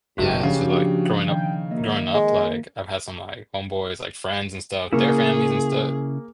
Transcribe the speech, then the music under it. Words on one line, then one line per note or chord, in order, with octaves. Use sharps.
Yeah, it's just like growing up growing up, like, I've had some, like, homeboys, like, friends and stuff, their families and stuff,
F#1 D#4 F#4 G4
C#3 F3 A#3 D4
D#3 G5
A#3 D#5 E5
G#3
C#3 A#3 C#4 E4 G#4